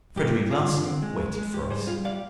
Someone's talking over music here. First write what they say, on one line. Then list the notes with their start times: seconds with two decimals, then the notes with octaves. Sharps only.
Frederic Larsan waited for us.
0.16 G2 G4
0.34 G2
0.51 G2 F4 G#4
0.68 D3
0.86 C4
1.02 G#3
1.19 G#3
1.37 G#3
1.54 G#2 G4
1.70 G3 G#4 C5
1.87 G3 F4 G#4
2.04 G3 D5 F5